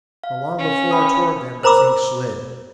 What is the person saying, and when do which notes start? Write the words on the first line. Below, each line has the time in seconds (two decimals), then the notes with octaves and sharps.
Along the floor toward them the thing slid.
0.24 F5
0.58 C#4
0.91 G5 B5 D#6
1.63 A#4 C5 A#5 B5 D6 E6